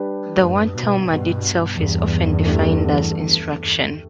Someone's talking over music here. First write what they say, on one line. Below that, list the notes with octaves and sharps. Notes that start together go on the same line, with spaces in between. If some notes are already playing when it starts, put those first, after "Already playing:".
The word "Talmud" itself is often defined as "instruction".
Already playing: G3 D4 G4 B4
F#2 A2
G2 B2
G2 B2
E2 G2
A3 D4 G4